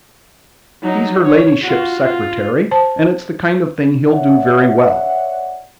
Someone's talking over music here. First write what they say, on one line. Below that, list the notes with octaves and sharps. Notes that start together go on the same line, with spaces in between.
He's her ladyship's secretary, and it's the kind of thing he'll do very well.
F#3 D#4
C#5
F4 F#4
F4
C5 A5
C#5 D5 E5 F#5